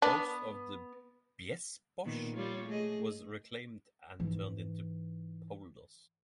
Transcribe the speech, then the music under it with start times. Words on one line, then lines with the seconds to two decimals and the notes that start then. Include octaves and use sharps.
Most of the Biesbosch was reclaimed and turned into polders.
0.02 B3 D4
2.04 A#2 D#3 B3
2.36 G3 F4 C#5
2.66 A3 G#4 D#5
4.20 G#2 E3